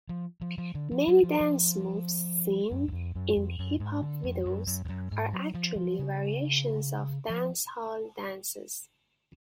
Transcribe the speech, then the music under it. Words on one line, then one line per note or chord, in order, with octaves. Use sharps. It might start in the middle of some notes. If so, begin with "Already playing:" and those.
Many dance moves seen in hip hop videos are actually variations of dancehall dances.
F3
F3
F3
D3
F3
F#3
F3
F3
F#2
F#2
F2
F#2
F2
F#2
G#2
D3
F2
F#2
F#2
F2
F#2
G#2
F#3
F3
F3
C#3
F3